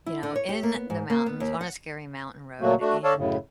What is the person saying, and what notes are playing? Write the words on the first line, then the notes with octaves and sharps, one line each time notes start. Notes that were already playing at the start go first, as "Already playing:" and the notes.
you know, in the mountains on a scary mountain road, and
E4
D3
C#5
G4
A#3
B3
G#2
A#3
B3
D#2
F#5
A#2 F#3 A3 A#3 F#4
A3 D4 F#4
A4 C#5 D5 F5 A5
F#2 A2 C#3